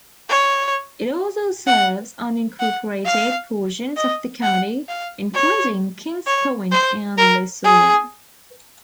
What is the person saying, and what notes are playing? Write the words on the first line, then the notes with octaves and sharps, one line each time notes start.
It also serves unincorporated portions of the county, including Kings Point and Losoya.
C#5
F#5
F#5
F5
D#5
F#5
F5
C#5
C#5
C5
A#4
G#4